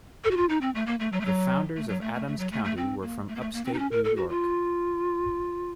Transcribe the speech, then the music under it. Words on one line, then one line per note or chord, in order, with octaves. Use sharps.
The founders of Adams County were from upstate New York.
A4
F#4
F4
D#4
C4
A3
A#3
A3
F#3
A3
F#3
A3
F#3
A3
A3
A3
F#3
A3
A3
C4
A#3
A3
A#3
A3
A#3
C4
D#4
C#4
A#4
A4
F#4
F4